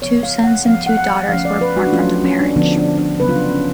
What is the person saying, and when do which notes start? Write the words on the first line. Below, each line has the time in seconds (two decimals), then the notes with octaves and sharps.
Two sons and two daughters were born from the marriage.
0.02 C#3 F3 B3 C#5
0.23 F5
0.44 F#5
0.65 F3 B3 F5
0.86 F#5
0.97 F#5
1.07 F5
1.29 F3 A3 C#4 F5
1.45 D5
1.61 B4
1.77 F#4
1.87 D4
1.93 F3 A3 C#4 F4
2.24 C#4
2.40 D4
2.56 D3 F3 B3 D4
2.77 D4
2.98 D4
3.19 C#3 F#3 B3 B4
3.29 F4
3.36 D4
3.51 C#4